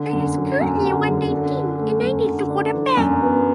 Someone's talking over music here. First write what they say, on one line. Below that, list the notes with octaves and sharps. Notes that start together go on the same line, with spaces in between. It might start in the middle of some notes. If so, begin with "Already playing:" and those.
It is currently one nineteen and I need to go to bed.
Already playing: D3
F#2
F#3
F#2
D3
F#2
D3
D4
A3
F#2
D3
D4
E3
F#2
B3